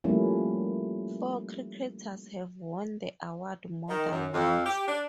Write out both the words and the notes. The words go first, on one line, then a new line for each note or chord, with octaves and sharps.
Four cricketers have won the award more than once.
F3 G3 A3 A#3 C#4 E4
D#3
F#2
F2
G4
D4